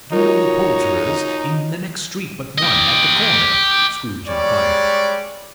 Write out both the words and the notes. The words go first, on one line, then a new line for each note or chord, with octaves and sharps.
"Do you know the Poulterer's, in the next street but one, at the corner?" Scrooge inquired.
D#4 F4 F#4 A#4 C#5
G4 D#5
G3 G#3 C#5 D5